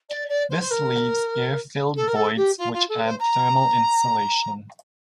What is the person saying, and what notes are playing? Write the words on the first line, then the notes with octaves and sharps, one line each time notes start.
This leaves air filled voids which add thermal insulation.
D5
D5
C5
C5
A#4
A4
A#4
A4
G4
F4
F4
A4
C5
A#5